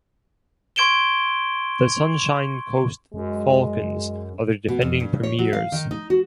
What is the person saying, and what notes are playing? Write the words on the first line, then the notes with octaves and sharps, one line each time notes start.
The Sunshine Coast Falcons are the defending premiers.
C6 C#6 G#6 D7 E7 G7
F#2 G#3
B2
F2
G2
C#5
F#3
F5
D#3
D#4
F#4